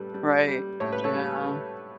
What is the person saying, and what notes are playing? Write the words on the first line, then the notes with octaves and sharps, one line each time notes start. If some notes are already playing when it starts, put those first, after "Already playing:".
Right. Yeah.
Already playing: A2 G3 A4 B4
G3
G3
A2 C#5
B4
A4 C#5
G3